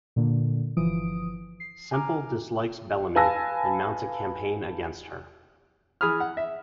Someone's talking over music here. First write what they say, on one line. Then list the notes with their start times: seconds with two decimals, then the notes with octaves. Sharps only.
Semple dislikes Bellamy and mounts a campaign against her.
0.16 A#2 D3 A#3
0.77 G1 E3 F3 D#6 D7
1.60 C7
1.91 G#5 A#5 D6 F6
3.16 B4 F5 G#5 A5 E6 A#6
6.01 E3 G#4 B5 D#6 F6
6.20 F#5
6.37 E5